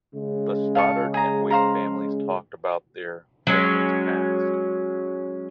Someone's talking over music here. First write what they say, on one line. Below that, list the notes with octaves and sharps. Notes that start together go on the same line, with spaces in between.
The Stoddard and Waite families talked about there families past.
C#3 G#3
F5 A5 C#6
G#4 A#5
C5 F5 A#5
F#3 G#3 C#4